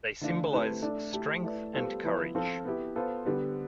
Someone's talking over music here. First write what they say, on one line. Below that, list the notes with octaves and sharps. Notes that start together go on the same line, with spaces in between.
They symbolise strength and courage.
D3 A3 D4 F4
A3 C4 E4 G4 B4
A3 D4 A4 D5
A3 E4 G4
A3 E4 B4 D5
G3 B3 F4 A4 C5
F3 B3 E4 B4
F3 C4 F4 A4
B3 E4 G4
B3 F4 A4 C5
D3 G3 B3